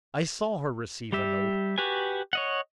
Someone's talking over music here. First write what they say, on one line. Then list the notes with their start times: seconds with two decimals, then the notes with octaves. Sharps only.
'I saw her receive a note.
1.13 G3 G4 E5
1.78 F#4 G4 B4 G#5
2.33 C#5 D#5 F#5